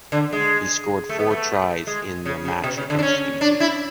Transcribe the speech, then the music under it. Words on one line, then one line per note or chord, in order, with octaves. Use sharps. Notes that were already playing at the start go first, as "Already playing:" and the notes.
He scored four tries in the match against Fiji.
D3
G#3
A3
B3
A3
G#3
C#3
C#3
B2
C#3
D3
D4
C#4
D4
E4